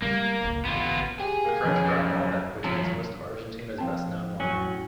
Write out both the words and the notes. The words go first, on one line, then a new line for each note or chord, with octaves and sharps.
The French brought Malbec, which makes most of Argentina's best known wines.
G3 A3 A#3
D1 G#1 C#2
A1 B3 F4
G4 G#4
A#3
F1 F2 C#4
F#2
F#2 F3 F#3
F3 C4 A5
A2 F#3 C#4 F#4 G#5